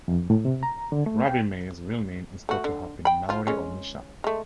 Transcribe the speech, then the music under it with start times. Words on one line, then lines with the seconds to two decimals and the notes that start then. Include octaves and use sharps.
Rabbi Meir's real name is thought to have been Nahori or Misha.
0.08 F2
0.30 A2
0.45 C3
0.63 A#5
0.92 D3
1.06 A3
1.27 G5
2.49 A3 F#4
2.64 D3
3.05 G5 B5
3.29 F3 F4
3.47 G#3 C#4
4.24 G#3 A3